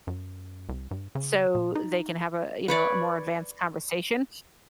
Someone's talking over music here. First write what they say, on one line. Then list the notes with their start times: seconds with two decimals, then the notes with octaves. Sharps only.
so they can have a, you know, a more advanced conversation,
0.07 F#2
0.69 C2
0.91 G2
1.15 C#3
1.55 A#2
1.75 D#4
2.68 B4 C#5 D5